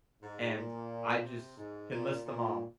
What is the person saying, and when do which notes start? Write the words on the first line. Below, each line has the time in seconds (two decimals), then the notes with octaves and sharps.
and I just can list them all.
0.22 G#2
0.56 A#2
1.23 C3
1.58 G#2
1.92 A#2
2.26 A#2